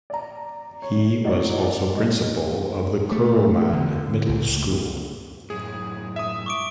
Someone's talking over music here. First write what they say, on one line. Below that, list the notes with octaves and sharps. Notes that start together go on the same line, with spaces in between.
He was also principal of the Kuruman Middle School.
D5 A#5
C#5
F#3 D#4 E4 F#4 C#5 D5
D5
G#3 D#4
A3
D3
C#2
F#2 A2 G#4
E5 D#6
C#6 D6 D7